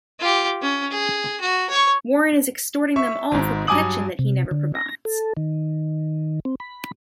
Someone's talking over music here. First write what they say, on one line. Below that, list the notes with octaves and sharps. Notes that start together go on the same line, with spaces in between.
Warren is extorting them all for protection that he never provides.
F4 G4
C#4
G#4
F#4
C#5 C#6
E5 C#6
G#1 G#2
G2 F#3 G#5 D6 D#6 F#7
C3
D3
A#6
A4
D#3
C4
B5